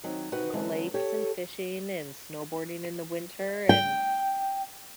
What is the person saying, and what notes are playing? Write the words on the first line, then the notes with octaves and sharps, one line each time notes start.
the lakes and fishing and snowboarding in the winter and
D#3 F#3 C4
C3 D#4 F#4 B4 F#5 G5
D3 F#3 G#3 C4 C#4
G4 A4 C#5
G5